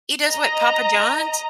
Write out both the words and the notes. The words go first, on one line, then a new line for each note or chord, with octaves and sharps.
He does what Papa John's?
D#5 A#5